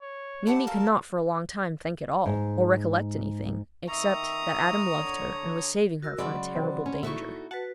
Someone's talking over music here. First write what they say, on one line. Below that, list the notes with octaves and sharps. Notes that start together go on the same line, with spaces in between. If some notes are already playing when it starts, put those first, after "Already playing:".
Mimi could not for a long time think at all, or recollect anything, except that Adam loved her and was saving her from a terrible danger.
C#5
E4 G4 F#5 A5
F4 G4 A4 A#4
G#2
D#3 E5 A#5 C#6 D#6
D3 C#5
F#4 A#4 E6
C#3 F#3 G#3 D5 F#5 B5 C6
C3 E3 C4
C#4
A#2 D#4 E4 F#4 A4 E5 C#6
F#4 B4 F#5 A5